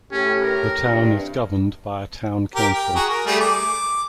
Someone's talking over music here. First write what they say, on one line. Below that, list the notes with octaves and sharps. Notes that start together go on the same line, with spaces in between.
The town is governed by a Town Council.
A2 C#4 G4
A#4
G2 C3
G4 A#4
G5
F#4 G#4 A#5
A#4
G3 A3 G#4
D6